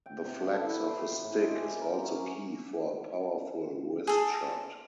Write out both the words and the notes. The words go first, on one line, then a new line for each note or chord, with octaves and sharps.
The flex of a stick is also key for a powerful wrist shot.
G5
C3
D3
E4
C6
C6
A2
G#3
G4
A#4
C#4
F#3
G#4 A4